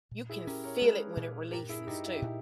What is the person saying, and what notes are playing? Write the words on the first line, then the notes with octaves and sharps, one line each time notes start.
you can feel it when it releases, too.
A#2
E4 G#4
C#4 G4 A#4
A#4 C#5
G#3 G#4 B4
A#2
G2 G4 A#4
E4 G#4
G2 D#4 G4
E4
G4
A#2 E4